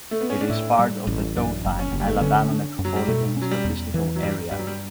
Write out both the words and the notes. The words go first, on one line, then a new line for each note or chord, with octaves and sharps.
It is part of the Dothan, Alabama Metropolitan Statistical Area.
A3
B3
C#4
D4
A2 E4
G3
A1
F#2 D4
F#1
C#4
F#1
G3
A3
B3
D3 C#4
D4
F#2
F#3
G3
B2 A3
C#4
F#3
G3
E2
E3
F#3
G2 G3
G2 G3
F#3
G3